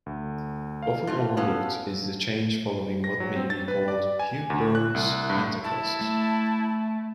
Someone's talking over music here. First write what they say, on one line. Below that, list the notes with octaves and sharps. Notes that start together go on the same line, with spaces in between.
Often overlooked is the change following what may be called "Hugh Bourne's Pentecost".
D2
F5
G#2 A3 F4
B3 C#4 A4 F5
A#6
F#3
C4
A6
B4
D5
G#5
D2
F#6
C2
G2
E4 A5
A3